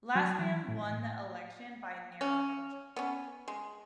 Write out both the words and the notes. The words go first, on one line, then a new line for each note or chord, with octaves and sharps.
Lastman won the election by narrow margin.
F#3
E3
A2
C#4
B3 C#4
G#3